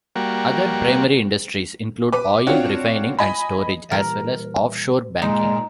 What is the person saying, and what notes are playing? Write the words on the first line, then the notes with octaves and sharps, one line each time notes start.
Other primary industries include oil refining and storage, as well as offshore banking.
G3 A#3 F#4
B4 D6
C4 D4 F4 F#4 C#5
D#5 G#5 B5
A#2 E3 G3 A#4
G1 A#2 G#3 D#4